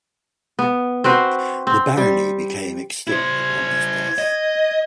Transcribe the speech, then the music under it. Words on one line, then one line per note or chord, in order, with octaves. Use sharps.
The barony became extinct upon his death.
B3
C4 F#4 B4 C5
C4
G3
E4 C5 G#6
D#5